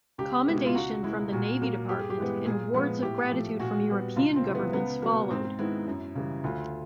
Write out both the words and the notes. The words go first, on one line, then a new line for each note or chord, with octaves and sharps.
Commendation from the Navy Department and awards of gratitude from European governments followed.
C#2 G4
B2 G#3 B3
E4
F4
C#2 F#4
B2 G#3 E4
A#2 F#4
F#3 A#3
G2 G4
G#4
G4
E3 G#3 B3
A#2 G#4
F3 G#3 B3
A2 G4
F3 A3
A#2 F#4
G3 B3
C#2 F4
C4
C3 E3 G#3
B3
C#2 B3
B2 F#3 A#3
G#2 C4
D#3 G#3 B3 E4
F#2
C#3 E3 G3
D2 F4